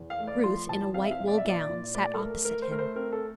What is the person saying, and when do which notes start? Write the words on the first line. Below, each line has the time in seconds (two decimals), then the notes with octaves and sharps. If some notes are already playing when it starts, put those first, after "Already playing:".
Ruth, in a white wool gown, sat opposite him.
Already playing: E2
0.10 F5
0.19 A3
0.27 D5
0.44 F3 C6
0.69 E2 A5
0.94 C4 F5
1.04 E5
1.11 F5
1.19 A#2
1.27 D5
1.38 E5
1.45 A#2 D5
1.69 A#2
1.95 A3 D5
2.14 A4
2.20 A3 A#4
2.45 A3 A#4
2.62 C5
2.70 A3 A#4
2.79 C5
2.96 C4 A#4
3.12 A4